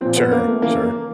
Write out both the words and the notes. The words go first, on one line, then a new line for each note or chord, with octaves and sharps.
Sure, sure.
A#2 F3 C4
B3
A#3
A3
C#3 E3 A#3
A#3